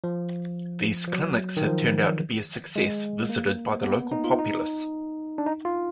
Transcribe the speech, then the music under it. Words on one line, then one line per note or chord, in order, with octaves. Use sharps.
These clinics have turned out to be a success, visited by the local populace.
F3
F3
F#3
D#3
F3
G#3
A#3
B3
D#4
F4
D#4
D4
D#4
F4